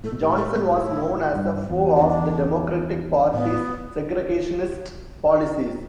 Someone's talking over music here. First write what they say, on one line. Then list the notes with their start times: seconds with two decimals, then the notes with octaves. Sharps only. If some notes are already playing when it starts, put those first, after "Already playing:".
Johnson was known as a foe of the Democratic Party's segregationist policies.
0.04 A2 A4
0.12 B2
0.19 A2 G4
0.37 A4
0.54 B3
0.70 E4
1.36 G2
1.70 E2
1.96 E4
2.01 E2 D4
3.34 A2 B3